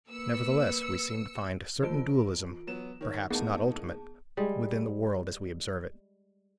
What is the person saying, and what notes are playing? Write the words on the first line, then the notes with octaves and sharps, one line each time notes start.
Nevertheless, we seem to find a certain dualism, perhaps not ultimate, within the world as we observe it.
A#3 B4 E6 C#7
E3 F4 C5 A5 D7
F#3 B3 E7
D#3 C#5
A2 A#3 B3 D#4 G#4 A5
G3 G#3